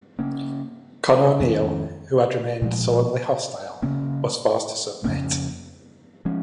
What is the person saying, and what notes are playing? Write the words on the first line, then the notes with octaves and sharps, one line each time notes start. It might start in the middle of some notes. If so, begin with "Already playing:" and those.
Conn O'Neill, who had remained sullenly hostile, was forced to submit.
C#3 A#3 C#4
F2 D#3 G#3 C#4
A#2 F3 G#3
C#3 A#3 C#4
F2 C#3 A#3 C#4
F3 G#3 C#4